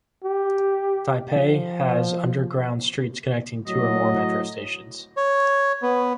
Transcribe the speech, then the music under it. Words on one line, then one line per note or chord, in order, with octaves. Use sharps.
Taipei has underground streets connecting two or more metro stations.
G4
F3
A2 F#3 D#5
C#5
B3